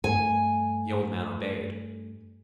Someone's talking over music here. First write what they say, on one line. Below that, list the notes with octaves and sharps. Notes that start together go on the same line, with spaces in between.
The old man obeyed.
G2 A3 G#5